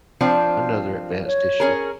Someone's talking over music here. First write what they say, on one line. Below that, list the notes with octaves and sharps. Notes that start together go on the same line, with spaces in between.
another advanced issue,
F3 C4 D4
C#5
C#4 G#4 A#4